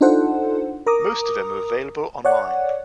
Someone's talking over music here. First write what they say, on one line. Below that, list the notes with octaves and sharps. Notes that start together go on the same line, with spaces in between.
Most of them are available online.
D4 D#4 F4 A4 C5 F#5
A#4 A#5 D6 D#6
C#5 D5 F#5